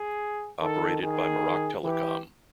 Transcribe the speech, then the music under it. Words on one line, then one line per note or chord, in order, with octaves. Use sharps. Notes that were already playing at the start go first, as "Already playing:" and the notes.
Operated by Maroc Telecom.
Already playing: G#4
D#3 A4
D#3 G#4
E3 G4